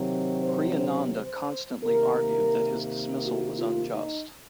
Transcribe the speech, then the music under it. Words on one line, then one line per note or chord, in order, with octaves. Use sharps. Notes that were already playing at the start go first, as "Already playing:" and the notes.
Kriyananda constantly argued that his dismissal was unjust.
Already playing: C3 D#3 F#3 C4
C5
C5
C5
C3 D#3 A#3 A#4
F#4
F4
D#4